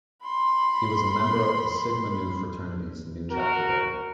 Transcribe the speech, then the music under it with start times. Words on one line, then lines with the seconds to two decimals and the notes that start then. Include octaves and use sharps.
He was a member of the Sigma Nu fraternity's Nu Chapter there.
0.23 B5 C6
3.30 F#4 A#4